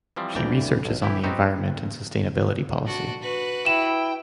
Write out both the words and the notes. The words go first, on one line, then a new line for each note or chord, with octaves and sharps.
She researches on the environment and sustainability policy.
E3 F3 G3 C4
G1 D2 E3 D5 G5 A#5
B1
E3 E4 G4
B3 C4 D#4 F#4 G4
D4 F#4
F#4 B4
E4 G5 E7